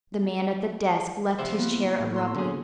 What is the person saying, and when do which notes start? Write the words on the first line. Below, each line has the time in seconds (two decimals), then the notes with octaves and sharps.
The man at the desk left his chair abruptly.
1.39 C3 F3 C5 E5 F#5
1.58 A#3 B3 E4
2.00 A2
2.14 A#5 C6 E6
2.35 D3 C#4 G#4